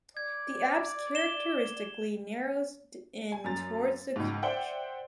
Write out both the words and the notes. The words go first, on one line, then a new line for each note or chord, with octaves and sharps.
The apse characteristically narrows in towards the conch.
D5 G#6
E7 G7
G#5
F#2 A#5 A6
C#2 G#2
C5 D5 E5 F#5 G5